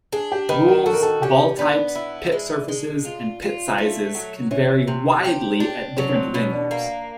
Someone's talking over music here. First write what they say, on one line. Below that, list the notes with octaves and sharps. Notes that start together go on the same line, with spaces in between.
Rules, ball types, pit surfaces, and pit sizes can vary widely at different venues.
D4 G#4
G4
D#3 B4
A#4
F#4 A4
A#4
A4
C#4 G4
B3 D4
E4
G#3
G#3
F4
F4
A3
F#3
E3 C#4
C3
G4
D4
F#3 C#4
C#4
C4
B2 C#4
D4
A#3